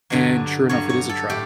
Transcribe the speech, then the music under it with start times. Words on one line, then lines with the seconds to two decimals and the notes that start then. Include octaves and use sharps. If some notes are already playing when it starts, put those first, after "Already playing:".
and sure enough, it is a trail.
0.10 G2 D3 F#3
0.69 G2 F#3 C#5
0.89 C#5
1.09 A4
1.30 A2 G4